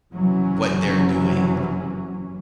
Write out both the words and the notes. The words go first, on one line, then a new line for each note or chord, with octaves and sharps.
what they're doing,
F#1 C3 E3 F#3 C#4